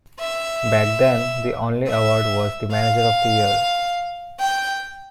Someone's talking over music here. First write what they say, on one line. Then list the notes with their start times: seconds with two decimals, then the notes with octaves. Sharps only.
Back then, the only award was the Manager of the Year.
0.20 E5
1.87 E5
2.72 F5
4.40 G5